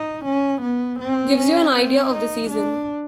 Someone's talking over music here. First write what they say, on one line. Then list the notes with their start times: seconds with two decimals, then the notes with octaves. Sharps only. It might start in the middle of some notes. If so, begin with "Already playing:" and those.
Gives you an idea of the season.
Already playing: D#4
0.25 C#4
0.62 B3
1.00 C4
1.37 C#4
1.75 C4
2.12 D#4
2.50 D4